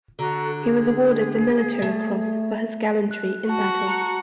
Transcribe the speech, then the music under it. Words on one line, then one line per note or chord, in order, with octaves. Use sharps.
He was awarded the Military Cross for his gallantry in battle.
D3 F#4 A4 A#5
G#4
A3
F#6
F#4 A5
A#5 C#7